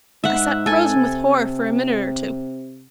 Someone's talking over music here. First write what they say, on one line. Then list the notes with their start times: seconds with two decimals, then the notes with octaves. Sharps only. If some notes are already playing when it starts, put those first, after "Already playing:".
I sat frozen with horror for a minute or two.
0.24 G#2 E5 F#5
0.66 A4 G#5
0.96 C3